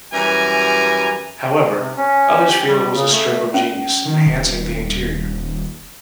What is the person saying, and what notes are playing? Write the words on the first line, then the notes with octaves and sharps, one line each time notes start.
However, others feel it was a stroke of genius, enhancing the interior.
F#2 E3 G3 G#5 A#5
C3
C#4
G4
G3
C#3
A3
C#4
D#3
D#1